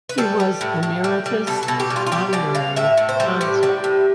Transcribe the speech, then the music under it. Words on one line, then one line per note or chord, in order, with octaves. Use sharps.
He was Emeritus Honorary Consul.
B4
G3 A4
G3
A2
A2
G3
G3
B2 A4
A4
B2
G4
G3
F4
F4
G3 G4
B2 D5
B2 F5
A2 E5
A2
C5
G3
A2 G4
G3
A2